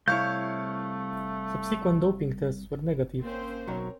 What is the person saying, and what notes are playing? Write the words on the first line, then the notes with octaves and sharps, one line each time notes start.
Subsequent doping tests were negative.
C2 A3 E4 C#5 F5 C#6 G6
A#3 C4 C#4 C5
B1 F#3 A#4 C#5